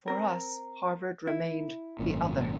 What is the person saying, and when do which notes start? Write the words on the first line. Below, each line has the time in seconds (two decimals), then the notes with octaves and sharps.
For us, Harvard remained 'the other.
0.08 C4 A#4
1.27 E4
1.99 G#1 F#2 A#2